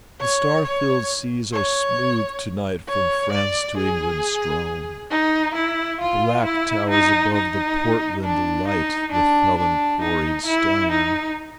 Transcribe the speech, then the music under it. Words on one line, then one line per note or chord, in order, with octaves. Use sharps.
The star-filled seas are smooth to-night From France to England strown; Black towers above the Portland light The felon-quarried stone.
C#5
C#5
C#5
C#5
D5
G#4
D#4
E4
F4
E4
D#4
D#4
D4
D#4
D4
D4
D#4
E4
D#4